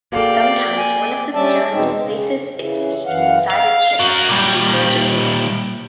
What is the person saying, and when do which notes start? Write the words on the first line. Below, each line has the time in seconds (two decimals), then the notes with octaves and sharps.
Sometimes, one of the parents places its beak inside a chick’s and regurgitates.
0.12 A#3 F#4 G#4 A4 D5 F5 G5
0.77 G#5
1.35 G3 C#4 D5 E5 A5
1.72 E2 B2 G#3 C4 D#4
1.97 C#3
2.55 C#3 E3
3.06 F#2 E3 F5 F#5
3.50 F5
3.99 F#4 A#4
4.29 A#2 G3